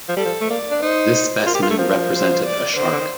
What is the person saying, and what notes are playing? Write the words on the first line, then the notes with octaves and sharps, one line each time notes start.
This specimen represented a shark.
F3
G3 A4
F3
A3
A#3 D5
D4
D#4 C5
F4 A#4
G4
F4
A3
F3 A#4
C5
D5
D3 C5
D#3
D3
D#3